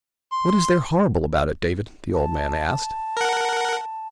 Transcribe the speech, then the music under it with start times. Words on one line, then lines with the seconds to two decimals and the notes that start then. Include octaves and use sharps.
"What is there horrible about it, David?" the old man asked.
0.32 C6
2.14 A5
3.17 A#4 F#5